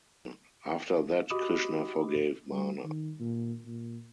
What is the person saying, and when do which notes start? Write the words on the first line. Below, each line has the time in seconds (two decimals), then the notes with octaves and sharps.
After that Krishna forgave Bana.
1.30 F#4 G4 D#5 B5 D6 D#6
2.52 G3
2.84 D#3
3.20 A#2
3.65 A#2